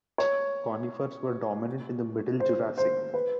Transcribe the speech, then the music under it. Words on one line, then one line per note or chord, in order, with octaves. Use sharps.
Conifers were dominant in the Middle Jurassic.
C#5
C5
C5
B4